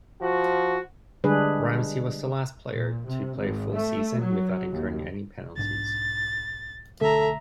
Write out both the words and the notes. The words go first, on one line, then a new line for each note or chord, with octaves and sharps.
Ramsay was the last player to play a full season without incurring any penalties.
F3 F#4
D3 G3 G#3 D4 G#4 B4
A#2
C3
G#1
A3
F#3
D#2
B1 G#2 D4 A6
B1 D3 A3 A4 E5 A#5